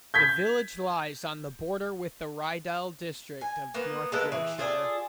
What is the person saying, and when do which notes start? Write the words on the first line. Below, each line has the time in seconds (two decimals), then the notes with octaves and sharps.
The village lies on the border with the Ryedale district of North Yorkshire.
0.14 G6 G#6 B6
3.41 G#5
3.74 A#3 B3
4.12 G#3 A#3 A4 B4
4.32 E3 G#4
4.58 F4 G#4 A4 D5